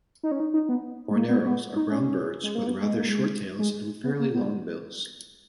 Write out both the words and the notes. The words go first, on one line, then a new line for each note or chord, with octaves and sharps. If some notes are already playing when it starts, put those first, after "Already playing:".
Horneros are brown birds with rather short tails and fairly long bills.
D#4
C#4
D#4
D#4
B3
G#3
A#3
B3
B3
D#4
C#4
G#3
A#3
B3
G#3
A#3
G#3
G#3
B3
A#3
B3